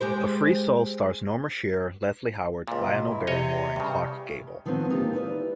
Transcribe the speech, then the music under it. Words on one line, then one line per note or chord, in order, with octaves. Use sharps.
"A Free Soul" stars Norma Shearer, Leslie Howard, Lionel Barrymore, and Clark Gable.
G#3 G4 C5
C#2 A#2
B2
E4
C3 C#5 D#5
G2 C#3
D3 D#3 F3 B3 C4
A#3 D#4 F4 G4
E4 B4 C#5 D5